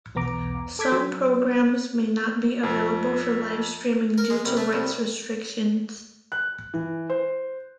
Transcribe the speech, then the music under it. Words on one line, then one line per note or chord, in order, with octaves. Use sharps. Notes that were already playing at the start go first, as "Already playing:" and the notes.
Some programmes may not be available for live streaming due to rights restrictions.
B1 E2 B3 A#5 D6
A4 D6 G#6 B6
F#3
F2
A#4
G#3
C2
A3
C2
F#6
E3
C5